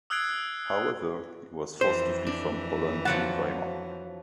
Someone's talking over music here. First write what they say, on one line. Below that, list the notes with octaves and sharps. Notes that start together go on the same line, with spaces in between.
However, he was forced to flee from Poland to Weimar.
D#6 E6 F#6 G#6 C7 D7
F2 E3 C5
D4
F3 F#3 F#5 A5